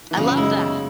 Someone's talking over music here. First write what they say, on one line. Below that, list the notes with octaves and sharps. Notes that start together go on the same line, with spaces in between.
I love that.
E3
F#2 C#3 F#3
G#3 E4